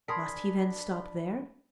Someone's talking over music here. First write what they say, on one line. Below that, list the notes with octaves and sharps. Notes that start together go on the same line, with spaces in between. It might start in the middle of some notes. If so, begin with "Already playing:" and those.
Must he then stop there?
D4 G#4 A#4 A5 B5 C6 B6